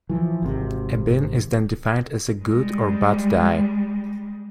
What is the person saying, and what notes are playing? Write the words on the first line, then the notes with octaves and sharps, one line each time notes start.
A bin is then defined as a good or bad die.
E3 F3
G#1 C3
G3 G#3